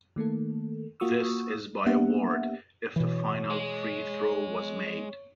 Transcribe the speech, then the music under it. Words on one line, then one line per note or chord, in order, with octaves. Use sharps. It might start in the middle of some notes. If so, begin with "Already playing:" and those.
This is by award, if the final free throw was made.
D#3 A3 A#3 A4
A#3 F4 F#4 C#6 D#6 E6
A#3 B3 D4 G4 E5 F#5
B2 E3 C#5
G#3